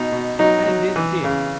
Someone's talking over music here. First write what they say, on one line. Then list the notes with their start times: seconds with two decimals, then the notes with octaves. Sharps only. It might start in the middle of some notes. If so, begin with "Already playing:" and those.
And it did.
Already playing: B2 D#4
0.12 B2
0.39 F#3 D#4
0.67 F#3
0.96 E3
1.24 C#3